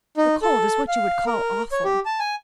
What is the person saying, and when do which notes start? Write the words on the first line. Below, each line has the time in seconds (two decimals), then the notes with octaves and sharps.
"The cold is what you would call awful."
0.17 D#4
0.42 A4
0.88 F5
1.26 A#4
1.72 C#5
1.85 G4
2.05 A5
2.19 G#5